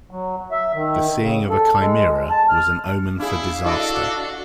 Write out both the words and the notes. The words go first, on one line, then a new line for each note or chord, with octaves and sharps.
The seeing of a Chimera was an omen for disaster.
F#3
E5
D#3
C#3
A4
G#3
A5
F6
D4 E4 G#4 F5
D4 E4 F#4 A4 D#5 D6